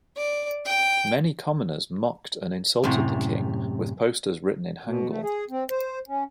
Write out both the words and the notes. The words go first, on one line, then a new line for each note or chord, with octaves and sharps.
Many commoners mocked and insulted the king with posters written in hangul.
D5
G5
F#2 A2 C3
B2
A3
G#4
C4
C5
C#4